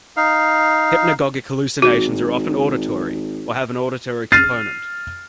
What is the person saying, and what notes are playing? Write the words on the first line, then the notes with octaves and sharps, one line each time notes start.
Hypnagogic hallucinations are often auditory or have an auditory component.
D#4 F5
G#1 F#4
F6 A6 C7 D#7